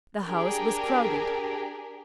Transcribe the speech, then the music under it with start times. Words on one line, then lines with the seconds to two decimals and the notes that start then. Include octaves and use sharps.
The house was crowded.
0.25 D4 G4 G#4 A#4